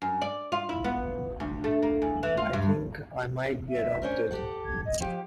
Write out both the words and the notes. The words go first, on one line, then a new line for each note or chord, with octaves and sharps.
I think I might be adopted.
F#2
D5
F4
E4
B3
D2
A3
A#3
E2
E3
F4
G2
E5
C#4 D4 A#4 C5
G4 A4 F#5
G#6
D#5
F3 G4 G5